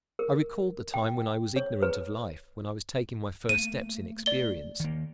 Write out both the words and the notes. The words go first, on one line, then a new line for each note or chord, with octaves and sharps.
I recalled the time when I was ignorant of life, when I was taking my first steps in experience.
A#4
G5
C#5
B4
A3 A#3 D#7
D5 G7
D#3 A#3